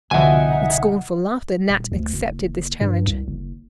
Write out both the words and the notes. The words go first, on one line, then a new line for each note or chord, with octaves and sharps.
With scornful laughter Nat accepted this challenge.
C2 B2 D3 F3 D#4 E5 F#5 G#5
D#1
D2
F#1
G2
C2
F#1